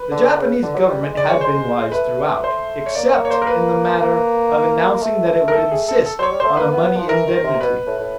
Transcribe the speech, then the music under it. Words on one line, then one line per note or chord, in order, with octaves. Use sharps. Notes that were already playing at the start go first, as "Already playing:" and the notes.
The Japanese Government had been wise throughout, except in the matter of announcing that it would insist on a money indemnity.
Already playing: B4
D3
C#3
D3
F#3
G3
G#3
G#3 D5
G#3 C#5
C5
A3 B4
C5
C#5
A#3 D5
C#5
C#5
C5
A#4
B4
A#3
A3
A#4
A4
G#4
A4
A4
F#3 C5 C#5
G3
A3 C5
A#3 B4
B3
B3
F3
E3 A#4
D#3
C3
B2 B4
A2
A2